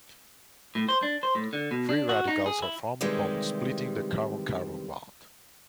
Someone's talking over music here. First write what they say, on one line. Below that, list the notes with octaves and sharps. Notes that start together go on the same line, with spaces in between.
Free radicals are formed upon splitting the carbon-carbon bond.
A2
C5
D4
C5
A2
D3
B2
D4
F#4
D#4
G#4
E4
C3 D#3 E3 G3 G#3